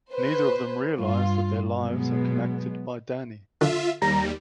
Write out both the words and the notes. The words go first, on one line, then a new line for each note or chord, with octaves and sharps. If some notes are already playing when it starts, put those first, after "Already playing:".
Neither of them realize that their lives are connected by Danny.
B4 C5
G2 F4
B2 F#3 G#3 B3
D3 F4 E5
D#2 G3 A#5